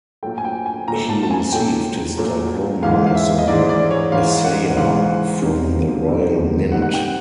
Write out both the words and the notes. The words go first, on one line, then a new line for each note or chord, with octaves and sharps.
He received his diploma as an assayer from the Royal Mint.
A#2 F#3 A3 G5
G#5
G5
G#5
A#2 F#3 A3 A#5
A5
A5
G#5
A#2 F#3 A3 G5
A#2 F#3 A3
G#2 E3 G#3 F5
F5
E5
D#5
G#2 E3 G#3 D5
D5
C#5
G#2 E3 G#3 F5
F#5
G#2 E3 G#3 F5
B2 G3 C4 D#4
B2 G3 C4 D#4
B2 G3 C4 D#4 F#5
F#5
G5